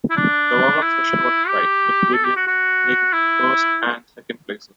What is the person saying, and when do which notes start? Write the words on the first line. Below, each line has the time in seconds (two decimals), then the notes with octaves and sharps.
The warm-up session was dry, with Williams taking first and second places.
0.10 E4
0.16 D4
0.82 E4
1.48 G4
2.14 A4
2.24 G4
2.36 F#4
2.47 F#4
3.13 E4